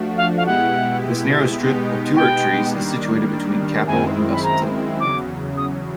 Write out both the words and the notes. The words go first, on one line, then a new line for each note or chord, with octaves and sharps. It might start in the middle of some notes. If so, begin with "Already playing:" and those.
This narrow strip of tuart trees is situated between Capel and Busselton.
Already playing: F3 A3 D4 F#4
F5
F5
B2 G#3 B3 E4 G4 F#5
B2 G#3 B3 D#4 G4
G5
D#3 G3 A#3 D4
F#2 D#3 G#3 C4 E4 G#5
B5
A#5
E2 C#3 F#3 D6
D#6